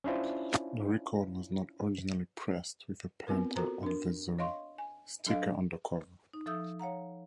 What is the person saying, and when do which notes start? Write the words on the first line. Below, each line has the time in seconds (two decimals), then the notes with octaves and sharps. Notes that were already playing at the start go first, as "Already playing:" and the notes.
The record was not originally pressed with a Parental Advisory sticker on the cover.
0.04 C#4 D4 E4 F4 C5
3.27 B3 C4 F4 A#4 B4
3.56 F4 F#4 A4 A#4 C5 A#5
3.83 D4 A#4
4.39 C#5 D#5 F5 C6 C#6
4.78 G#5
5.26 F#3 D4 A4 D#5 F5
6.33 D#4
6.46 F3 A4 E5 D#6 E6 G6
6.79 C#5 F5 F#5 A#5